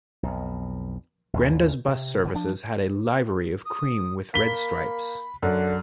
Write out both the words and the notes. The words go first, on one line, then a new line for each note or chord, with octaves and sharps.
Grenda's Bus Services had a livery of cream with red stripes.
B1 F2
A1 D#2
C3
G2 D3 E3
F3 D4
D#6
A#3 B5 B6 G7
F#2 D3 F#6